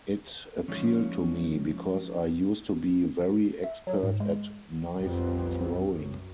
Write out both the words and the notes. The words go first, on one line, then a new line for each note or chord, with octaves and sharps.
It appealed to me because I used to be very expert at knife throwing.
F3 G#3 C#4 D#4
E5
F#3
G#2
G#3
F#1 B1 F2 G3 B3 C4
F#2